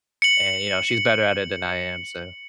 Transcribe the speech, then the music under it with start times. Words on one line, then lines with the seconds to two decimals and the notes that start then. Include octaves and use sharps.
and, you know, she's better at it than I am, so
0.22 C#7 F#7